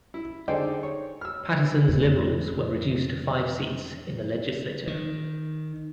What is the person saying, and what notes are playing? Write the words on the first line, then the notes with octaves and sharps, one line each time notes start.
Patterson's Liberals were reduced to five seats in the Legislature.
E4
D3 D#4 G#4 C5 D5 G5
C#5
E6 F6
F2 A2
D#3